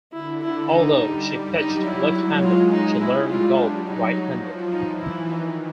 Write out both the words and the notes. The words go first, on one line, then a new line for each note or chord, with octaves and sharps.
Although she pitched left-handed, she learned golf right-handed.
D3 E4
E4
G3 D#4
G3
F#3 D#4
F#3 E4
G#3
F4
G#3 D#4
G3 E4
F4
F#3 D4
D#4
F3
E3 D#4
E4
D#3 D#4